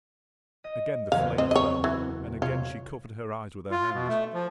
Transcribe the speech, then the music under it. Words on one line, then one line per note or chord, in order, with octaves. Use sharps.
Again the flame fell, and again she covered her eyes with her hands.
D#5
F#1 E2 F5
C4 D#5
C#5 D#5
E3 F#4
C3 F4 C#5
F4
B2
A3
F3